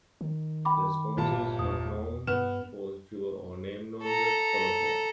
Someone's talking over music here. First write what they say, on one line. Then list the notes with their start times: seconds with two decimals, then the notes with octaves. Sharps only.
The sponsor is not known for sure or named on the colophon.
0.21 D#3
0.65 G5 B5 D6
1.17 G1 A#2 A5
1.59 E2 D#6
2.27 G2 B3 F6 E7
4.03 A4 A#5